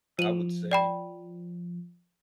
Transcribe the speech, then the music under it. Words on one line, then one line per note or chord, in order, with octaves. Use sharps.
I would say,
F3 D#7 F#7
D5 G5 B5